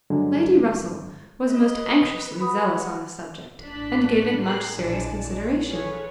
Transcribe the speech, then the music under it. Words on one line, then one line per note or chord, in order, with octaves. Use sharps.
Lady Russell was most anxiously zealous on the subject, and gave it much serious consideration.
G2 D3 F#3 G#3
B4 D#5
F#4 B5 D#6
A1 G2 D4 A5 F#6 B6
G#4 A#4 C6 F#6 C7
A#1 D3 E3 G#3 D5 A5
D5
C#4 F4 G#4 A4 B4 C#5